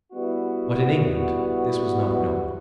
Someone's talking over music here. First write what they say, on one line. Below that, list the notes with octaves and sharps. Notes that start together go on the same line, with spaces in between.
But in England this was not known.
G3 B3 E4 F#4